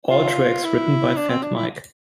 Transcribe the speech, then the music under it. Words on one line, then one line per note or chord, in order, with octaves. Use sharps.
All tracks written by Fat Mike.
F4
E4
D4
C4
D4
E4